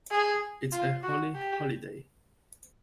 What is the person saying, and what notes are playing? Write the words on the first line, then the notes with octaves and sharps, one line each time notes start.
It's a Holi-Holiday.
G#4
F4
F#4
G4